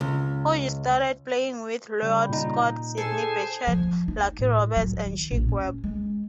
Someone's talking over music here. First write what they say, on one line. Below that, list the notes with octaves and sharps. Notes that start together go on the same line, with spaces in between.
Hodges started playing with Lloyd Scott, Sidney Bechet, Lucky Roberts and Chick Webb.
C#2
C#3 G3
A#2 D#4
G#4 A4 C5 G#5
F3
D#4
A2
F#3
D#3
A#1
C#4
G#3